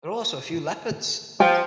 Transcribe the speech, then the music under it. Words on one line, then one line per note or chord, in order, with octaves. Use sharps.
There are also a few leopards.
F3 G5